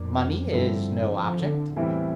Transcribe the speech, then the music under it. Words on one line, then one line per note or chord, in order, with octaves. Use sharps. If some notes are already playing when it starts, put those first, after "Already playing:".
"Money is no object?"
Already playing: F2 F3 A#3 D4
G2 D3 F3 C4 E4
F3
D3
E2 A2 E3 G3 C4 E4